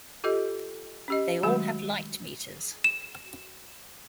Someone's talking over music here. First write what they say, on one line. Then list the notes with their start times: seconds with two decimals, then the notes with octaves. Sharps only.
They all have light meters.
0.24 F4 G4 A4 D#5
1.08 C#4 G4 D#5
1.43 D#3 F#3 G#3 A3 F#4
2.84 E7